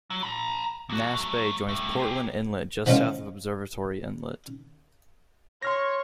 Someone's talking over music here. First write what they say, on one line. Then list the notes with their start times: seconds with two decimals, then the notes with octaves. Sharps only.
Nass Bay joins Portland Inlet just south of Observatory Inlet.
0.10 F#3
0.23 A#5 B5
0.90 E2 F#4
1.15 F#3 A3
1.69 G3 A3
1.98 G4 G#4
2.86 E3 F3 G#3 A#3 C#4 F4
5.62 C#5 C6 C#6 F6 A#6